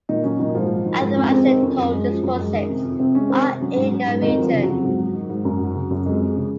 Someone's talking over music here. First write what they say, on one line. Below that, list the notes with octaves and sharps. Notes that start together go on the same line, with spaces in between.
Anthracite coal deposits are in the region.
A#2 D#3 D#4
F#3 C#4
A#2 D#3 D#4
G#2 F3 F4
F#3
D#3
G#2
F2 C#4
G#3 C4
D#3 C4
F2 C#4
F#2
G#3
F3
F#2
G#3
D#3
C3
F2
C3 C4
G#3 C#4
D#3 C4
C3
F#3 C#4
G#2
F#3
G#2
F2 D#3 D#4
F3 F#3 F4
C#3
F#3 F#4
F2
G#2
F#3
D#3
G#2
F#2
F#3
C#3
F#2
F2 G#3 G#4
G#3
C#3